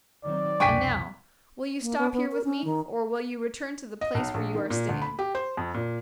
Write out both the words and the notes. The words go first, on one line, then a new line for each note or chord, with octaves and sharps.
And now, will you stop here with me, or will you return to the place where you are staying?
D#3 F#3 C4 D5
C2 F2 B2 D4 G5 G#5 C#6 B6
A#3
B3
B3
A#4
C#4
D#3
D#5
B1
A#1
D#3
A#2
D2
B5
G4
C5
F2
A#2